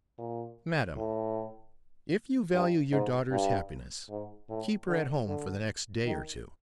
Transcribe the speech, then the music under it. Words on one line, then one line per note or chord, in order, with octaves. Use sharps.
MADAM,--If you value your daughter's happiness, keep her at home for the next day or two.
A#2
A2
G2
G#2
G2
G#2
A2
D3
D3
D#3